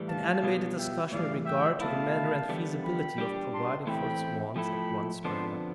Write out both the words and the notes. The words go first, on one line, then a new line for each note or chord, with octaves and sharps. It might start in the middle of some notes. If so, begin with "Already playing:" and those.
But an animated discussion in regard to the manner and feasibility of providing for its wants at once sprang up.
Already playing: A2 E3 G3
F5 A5
B2 G3 B3 F4
E5 G5
A2 E3 G3 D5 F5
E5 G5
B2 A3 E4 F5 A5
E2 D3 G3 B3
G5 B5
G3 D4 G4
A5 C6
A2 E3 A3 C4 E4 G5 B5
F3 A3 E4 A4 G5 B5
F2 D3 F3 B3 D4 A5 C6